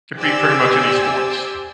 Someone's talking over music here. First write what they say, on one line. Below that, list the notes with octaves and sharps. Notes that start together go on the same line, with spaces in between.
Could be pretty much any sports.
G4 C5 D5 G5 G#5 E6